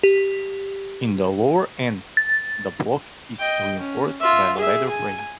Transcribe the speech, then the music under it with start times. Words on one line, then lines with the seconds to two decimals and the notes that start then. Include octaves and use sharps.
In the lower-end, the block is reinforced by a ladder frame.
0.03 G4
2.17 A6
3.39 D#5 G5
3.79 C#4
4.20 F4 E5
4.57 G#4 E5
4.89 G#5